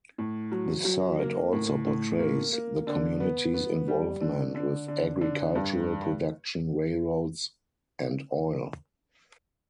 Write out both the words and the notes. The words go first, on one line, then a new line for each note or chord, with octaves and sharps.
The site also portrays the community's involvement with agricultural production, railroads, and oil.
A2
F#3
F#3
A#3
A2
A2
A#3
A#3
D3
B3
B3
G3
D3
D3
D3
D3
G2